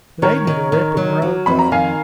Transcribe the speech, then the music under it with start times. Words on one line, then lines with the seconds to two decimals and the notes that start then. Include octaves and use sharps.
But ain't it a ripping road, though?
0.22 D#3 A#4 C#5
0.47 D#3
0.72 D#3
0.97 F#3
1.22 F#3
1.46 F2 B5
1.59 A#5
1.72 D#3 F5 G#5